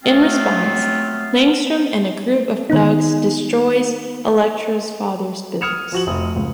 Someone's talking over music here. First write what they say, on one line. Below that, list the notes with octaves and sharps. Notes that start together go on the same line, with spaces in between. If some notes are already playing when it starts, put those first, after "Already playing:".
In response, Langstrom and a group of thugs destroys Elektra's father's business.
F#3 A3 B3 C4 F4
D#3 B3 D#4
D#6 F6 G#6 C#7 E7 F7
F3 F#4 F#7
F1 D#6
C#2